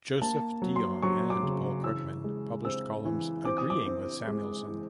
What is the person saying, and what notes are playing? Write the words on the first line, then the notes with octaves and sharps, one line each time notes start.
Joseph Dionne and Paul Krugman published columns agreeing with Samuelson.
A#3 A5
F#3
C6
F#3 C#6
D6
C#3
E3 E6
G#3
C4 E6
E3
C4 D6
D#6
D6
C4
G#3
E3